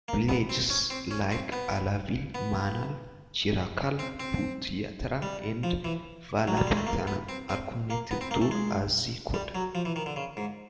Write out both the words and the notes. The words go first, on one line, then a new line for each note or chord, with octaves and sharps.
Villages like Alavil, Manal, Chirakkal, Puthiyatheru and Valapattanam are connected to Azhikode.
A#3
B3
C4
C#4
C4
C#4
C4
B3
B3
C4
C4
G3
F3
E3
F#3
G3
G#3
A3
A#3
B3
C4
C4
A#3
B3
C4
A#3
A3
G#3
G3
F#3
F3
E3
D#3
D3
C#3
G#2